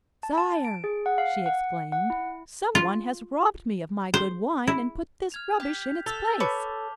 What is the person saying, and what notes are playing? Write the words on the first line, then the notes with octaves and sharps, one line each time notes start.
"Sire," she exclaimed, "some one has robbed me of my good wine, and put this rubbish in its place."
A5
A5
D7
G#4
F#5
F5
F#5
F#5
E4
F4
C5
E4
F6 G#6 F7
G4 G6 B6
G6
A4 F7 G7
B4 C#5 A5 D6